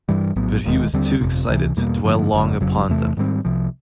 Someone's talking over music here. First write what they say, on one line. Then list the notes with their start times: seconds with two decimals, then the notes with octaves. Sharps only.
But he was too excited to dwell long upon them.
0.09 G2 E3 G3
0.36 A#1 A2 F#3 B3
0.64 E1 D#2 D#3 G#3
0.93 D#2 D3 G3 C4
1.21 G1 F2 C3
1.49 C#2 C3 E3
1.76 E2 B2 G3 A#3
2.04 G2 D3 F3 A#3
2.33 G1 F#2 D3
2.61 F#1 F2 C#3 F#3
2.89 E2 C3 E3 A3
3.17 G#2 D#3 G3 C4
3.45 C2 C3 F3